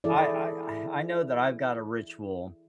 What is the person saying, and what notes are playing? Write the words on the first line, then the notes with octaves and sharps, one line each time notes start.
I I I know that I've got a ritual,
E3 E4 G#4 A4 D5